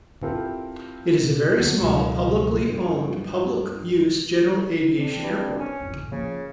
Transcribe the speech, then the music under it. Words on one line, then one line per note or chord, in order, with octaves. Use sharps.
It is a very small, publicly owned public-use general aviation airport.
C4 E4 F4 G4 A4 A#4
D3 F#3 B3
C#2 B2 F#3 G#3
G2
C4 D4
G2
C#4
A1 F2 G#2
C#3 F3 A#3